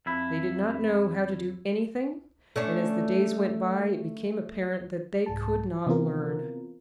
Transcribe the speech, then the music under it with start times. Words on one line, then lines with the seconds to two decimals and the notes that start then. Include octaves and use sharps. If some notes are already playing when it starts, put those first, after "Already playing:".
They did not know how to do anything, and as the days went by it became apparent that they could not learn.
0.06 F2 E4
2.56 A3 C#4 D4
5.26 C2 G#2 G#4 A5
5.86 C3 E3 B3 C4 F4 A#4